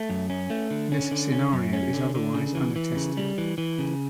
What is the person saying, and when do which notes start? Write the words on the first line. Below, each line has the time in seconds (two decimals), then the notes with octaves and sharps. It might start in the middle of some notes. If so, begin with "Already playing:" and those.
This scenario is otherwise unattested.
Already playing: A3
0.10 F#2
0.30 C#4
0.50 A3
0.71 D3
0.92 C#4
1.11 D3
1.32 C#4
1.53 F#2
1.73 C#4
1.93 D3
2.15 D3
2.34 C#3
2.55 E3
2.76 E3
2.96 C#3
3.17 G3
3.38 E3
3.58 E3
3.79 C#3